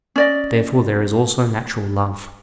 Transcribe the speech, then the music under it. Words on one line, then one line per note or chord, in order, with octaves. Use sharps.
Therefore there is also natural love.
C#4 D5 D#5